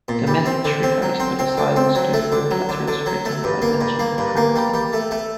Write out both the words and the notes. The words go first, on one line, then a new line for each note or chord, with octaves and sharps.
The message refers to the Silence Dogood letters written by Benjamin Franklin.
A#2
G3
C4
D3
C4
F#3
C4
C4
D3
C4
F#3
A3
D3
F#3
D3
D3
F#3
A3
G2
A#3
G2
A#3
G2
A#3
G3
G3
A3
A3